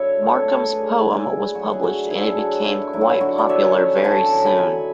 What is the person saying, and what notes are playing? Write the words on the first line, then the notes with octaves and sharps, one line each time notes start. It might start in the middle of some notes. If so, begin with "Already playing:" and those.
Markham's poem was published, and it became quite popular very soon.
Already playing: D3 F#3 E4 F#4 C#5 E5
A3
A4 C#5
A3
D4 G#4 B4
F#3
E4 G#4
D3
F#3 F#4
G#4
D3 F#4
D3 E4 G#4
A4
G#4
F#3 F#4
D3 E4
F#3 E4
F#4
E4
D3 F#4
D5
D3 C#5 E5
C#4
G#5
D3 F#5 A5
F#3
G#5 B5
D3